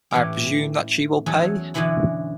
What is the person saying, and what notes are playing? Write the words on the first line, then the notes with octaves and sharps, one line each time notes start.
I presume that she will pay.
A2 E3 C#4 G4
E2 F#3 C#4 G#4 A4
F#2 B2 D3 E3 C#4 E4